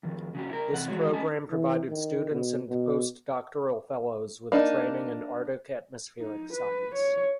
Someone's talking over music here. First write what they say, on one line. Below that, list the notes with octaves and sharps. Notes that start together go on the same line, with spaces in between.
This program provided students and postdoctoral fellows with training in Arctic atmospheric science.
F2 D#3
C#3 F#3 G4
E4 A#4
E2 C3 F#5
E3 F#3 G#3 F#4 C#5
C#4 D#5 G#5 A5
E3
D#3
B2
B2
A#3 D4 D#4
D#4
B4
C#5